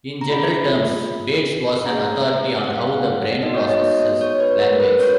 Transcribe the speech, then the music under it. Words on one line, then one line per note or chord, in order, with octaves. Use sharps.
In general terms, Bates was an authority on how the brain processes language.
A#5
C#4 F4 G#4 B5
C#4 G#4 A#5
F#5
F5
F#5
B3 D#4 F#4 D#5
C#5
D#5
C#5
B4
A#4
B4
C#4 F#4 C#5